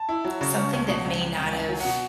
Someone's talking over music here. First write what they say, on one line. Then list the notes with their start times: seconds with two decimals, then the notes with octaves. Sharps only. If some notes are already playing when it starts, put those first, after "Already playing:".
something that may not have
Already playing: A5
0.09 E4
0.25 F#3
0.41 C#3
0.57 C#4
0.73 C#2
0.88 B2
1.05 C#2
1.21 C#2
1.37 C#2 G#5
1.53 C#2
1.59 G#5
1.69 F#3
1.80 B2 F#5